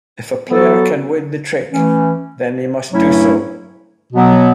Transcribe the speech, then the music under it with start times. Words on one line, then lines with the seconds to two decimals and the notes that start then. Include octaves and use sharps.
If a player can win the trick then they must do so.
0.48 F#3 B3 F#4 A4
1.70 E3 A3 C#4
2.92 G2 F#3 A3 C#4 E4
4.13 B2 F#3 B3